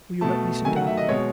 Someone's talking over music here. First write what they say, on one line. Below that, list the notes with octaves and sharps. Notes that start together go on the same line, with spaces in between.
Will you let me sit down?
B2 A3 A5
D#3 F#3 A3 G#5
F#5
E5
D#5
B2 G#3 C#5